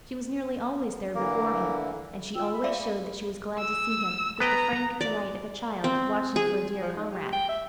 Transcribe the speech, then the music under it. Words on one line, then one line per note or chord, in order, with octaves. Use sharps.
She was nearly always there before him and she always showed that she was glad to see him with the frank delight of a child watching for a dear comrade.
D3 E3 A#3
F4 G5 E6
B5
D5 E5 F5
E6
B3 B4 G5 A#5
D5
C4
G#4
F3
D#4
G4
G5
E5